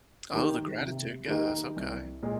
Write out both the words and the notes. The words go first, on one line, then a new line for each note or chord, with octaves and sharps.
Oh, the gratitude guys. Okay.
D#3 A#3 D#4 G4
C3
D#3 A#3 D#4 G4
C2
A#2 G#3